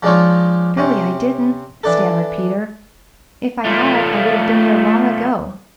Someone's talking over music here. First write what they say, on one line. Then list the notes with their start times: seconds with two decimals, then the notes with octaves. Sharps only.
Truly I didn't," stammered Peter. "If I had, I would have been here long ago.
0.03 F3 G#3 D4 D#4 F4 C#5
0.77 C3 C4 C#4
1.84 E3 D4 A4
3.65 A3 F4